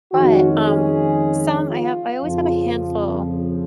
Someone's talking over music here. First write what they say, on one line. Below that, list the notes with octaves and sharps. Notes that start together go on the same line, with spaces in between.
but, um, some I have I always have a handful
F2 D#3 G#3 C#4 F#4
G#4
F4
F2 C#3 F3